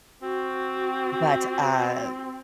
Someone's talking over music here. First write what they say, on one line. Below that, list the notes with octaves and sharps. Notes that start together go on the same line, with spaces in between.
but, uh,
C4 F#4